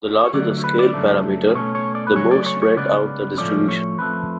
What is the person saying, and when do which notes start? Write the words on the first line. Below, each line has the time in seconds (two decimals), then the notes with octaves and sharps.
The larger the scale parameter, the more spread out the distribution.
0.23 C#5
0.33 D3 F#3 A3 D5
0.64 B4
0.79 D5
0.94 F#2 C#3 F#3 A3
1.55 B2 A3 C#4 C#5
1.75 C#5
1.95 D5
2.07 B4
2.16 C#3 F#3 A3 C#4 C#5
2.31 D5
2.46 C#5
2.62 C#5
2.77 C#3 G#3 B3 D5
3.37 A2 F3 A3 C#4 D5
3.69 C#5
3.98 F2 F3 A3 B4